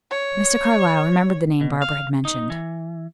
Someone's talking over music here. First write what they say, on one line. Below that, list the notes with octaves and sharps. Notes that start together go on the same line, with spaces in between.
Mr. Carlyle remembered the name Barbara had mentioned.
C#5
B2
F5
D#4
E3